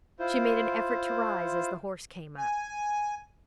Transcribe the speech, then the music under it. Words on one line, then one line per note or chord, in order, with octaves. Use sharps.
She made an effort to rise as the horse came up.
E4 F4 C5
G#5